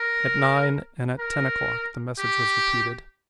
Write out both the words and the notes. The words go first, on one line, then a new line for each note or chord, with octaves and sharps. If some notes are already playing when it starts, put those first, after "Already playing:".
At nine and at ten o'clock the message was repeated.
Already playing: A#4
A#4
G4